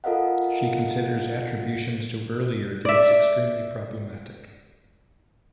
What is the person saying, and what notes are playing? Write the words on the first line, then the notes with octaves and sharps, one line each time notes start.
She considers attributions to earlier dates "extremely problematic".
F4 A4 A#4 D#5 F5 F#5
D5 E5